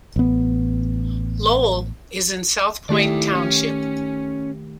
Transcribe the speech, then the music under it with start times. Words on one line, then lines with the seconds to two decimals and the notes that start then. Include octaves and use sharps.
Lowell is in South Point Township.
0.16 A1 B3
2.89 D#3 A3 E4 G4 D5
3.35 C#4